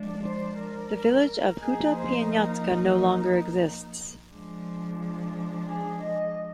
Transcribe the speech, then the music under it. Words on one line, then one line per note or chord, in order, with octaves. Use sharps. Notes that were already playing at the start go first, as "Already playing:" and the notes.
The village of Huta Pieniacka no longer exists.
Already playing: F3 G#3 D4
C5
A#4
F3 A#3 D#4 G#4
C5
A#4
F3 G#3 D4
G#4
D#5